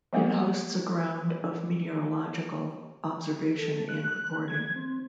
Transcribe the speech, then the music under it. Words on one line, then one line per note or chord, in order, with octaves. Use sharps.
It hosts a ground of meteorological observation and recording.
F3 F#3 G#3 A#3 B3
A4
F#6
G#6
C4